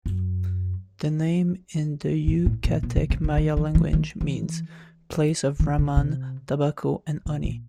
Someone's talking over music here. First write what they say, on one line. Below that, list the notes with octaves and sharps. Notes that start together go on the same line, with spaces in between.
The name in the Yucatec Maya language means "Place of ramon, tobacco, and honey".
F#2
G#2
A2
A#2
B2
C3
C#3
D3
D#3
E3
E3
D#3
E3
D#3
C#3
C3
B2
A#2